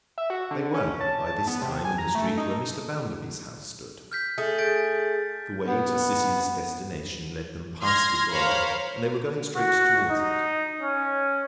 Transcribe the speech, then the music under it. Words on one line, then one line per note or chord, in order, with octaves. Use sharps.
They were by this time in the street where Mr. Bounderby’s house stood. The way to Sissy’s destination led them past the door, and they were going straight towards it.
E5
F#4
D3
C#4
A5
A5
B3
C3
G#5
A#5
A3
D#4
F6 G6 B6
A3 G#4
G6 A6 D7
B3
C6 F6 G#6 A#6
A#4 C5 C#5 F5 B5
F#4
D#4
C#4